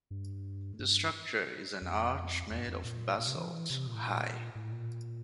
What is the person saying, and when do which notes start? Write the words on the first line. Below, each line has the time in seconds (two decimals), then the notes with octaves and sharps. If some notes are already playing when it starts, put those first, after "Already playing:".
The structure is an arch made of basalt, high.
0.11 G2
0.79 G2
1.82 F2
2.50 E2
2.59 G2
2.67 F2
2.84 A#2
3.18 A#2
3.27 C3
3.36 E3
3.44 F3
3.53 E3
3.70 C3
3.87 A#2
3.94 A2
4.02 A#2
4.55 A2
4.72 A#2